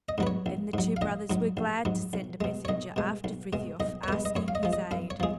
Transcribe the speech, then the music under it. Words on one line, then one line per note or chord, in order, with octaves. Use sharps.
Then the two brothers were glad to send a messenger after Frithiof, asking his aid.
D#5
G#2 F#3 B4
C#5
A#1
G#2 F#3
F5
A#1 D#5
G#2 F#3
A#1
G#2 F#3
B1
B2 G#3
C#5
B1 D#5
B2 G#3
B1
B2 G#3
B1 D#5
C#5
B2 G#3 B4
D#5
F#2 C#5
F5
D#5
F3 G#3
D#5
F#2 F5
C#5
F3 G#3 G#4